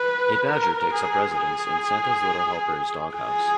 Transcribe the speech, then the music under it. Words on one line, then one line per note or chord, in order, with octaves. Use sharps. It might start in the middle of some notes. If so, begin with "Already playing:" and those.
A badger takes up residence in Santa's Little Helper's doghouse.
Already playing: B4
A#4
G#4
G#4
G#4